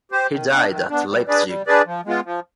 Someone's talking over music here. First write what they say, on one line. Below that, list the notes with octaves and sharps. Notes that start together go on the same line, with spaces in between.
He died at Leipzig.
G4 C5
D#3
B3 D4
D#3
B3 D4
G3
D4 G#4 B4 D5
G3
D4 G#4 B4 D5
F3
G#3 B3 F4
F3